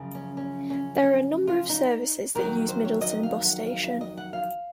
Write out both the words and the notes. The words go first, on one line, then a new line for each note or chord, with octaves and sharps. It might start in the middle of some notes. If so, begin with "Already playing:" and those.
There are a number of services that use Middleton bus station.
Already playing: F#2 C#3 F3
C#4
C#4
C#4
C#4
F4
D#4
F2 D#3 F#3 A#4
C5
C#5
D#5
F5
F#5
F5
F5
D#5
F#5
F5